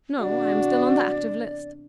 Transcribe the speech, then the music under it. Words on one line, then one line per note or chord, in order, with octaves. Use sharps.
"No, I am still on the active list."
E2 C3 D4 F#4 D5